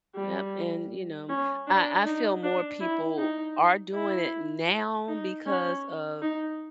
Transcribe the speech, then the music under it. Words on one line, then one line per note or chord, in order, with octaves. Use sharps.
Yep and you know I I feel more people are doing it now because of
G3
C#4
D4
D#4
D4
E4
D#4
E4
D#4
C#4
D#4